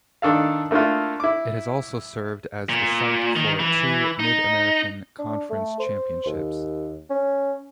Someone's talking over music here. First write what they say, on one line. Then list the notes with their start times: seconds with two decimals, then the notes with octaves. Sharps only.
It has also served as the site for two Mid-American Conference Championships.
0.22 D#3 D4 A4 F5
0.71 A3 A#3 D4 E4 F4
1.20 E4 D6
2.69 A#2
3.36 D#3
3.59 E3
4.20 D#4
5.19 D4
5.50 A3
5.79 C5
6.26 D#2
7.10 C#4